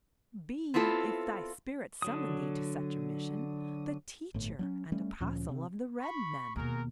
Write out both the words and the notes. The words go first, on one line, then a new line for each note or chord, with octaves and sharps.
Be, if thy spirit summon thee to such a mission, the teacher and apostle of the red men.
B3 C4 E4 F4 A4
D3 F#3 D#6
G1 A2
F#3 C4 C#4
G3 A3 C#4
D2 A#2 F3 C#4
C3 C4
B5 C#6
D#2 B2 F#4 G#4 A#4